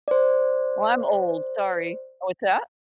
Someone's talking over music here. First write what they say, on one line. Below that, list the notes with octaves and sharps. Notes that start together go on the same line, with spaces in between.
Well, I'm old, sorry Oh what's that?
C5 D5